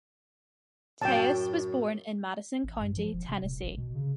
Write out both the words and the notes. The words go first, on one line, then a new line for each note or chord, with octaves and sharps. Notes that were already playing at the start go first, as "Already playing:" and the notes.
Theus was born in Madison County, Tennessee.
F#2 A2 G5 A5
A1
G2
F3
E1
C3
D#1
A1
B2
C#3